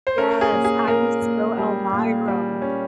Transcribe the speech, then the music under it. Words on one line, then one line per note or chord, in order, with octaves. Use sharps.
Yes, I was still Elmyra.
C5
C#4 A#4
G#4
A#2
G#4
A#2 A#4
A#2
G3
A#2
G3
C#4